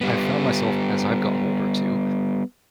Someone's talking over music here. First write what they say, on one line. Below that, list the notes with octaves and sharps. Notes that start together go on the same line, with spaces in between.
I've found myself, as I've gotten older too,
G3 B3